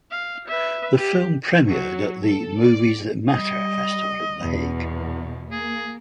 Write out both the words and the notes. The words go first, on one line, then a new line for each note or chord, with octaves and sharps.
The film premiered at the Movies That Matter Festival in The Hague.
F5
B4 E5
G4
F#3
A4
D5
G3 D#5
E2 B2
A#3 G#4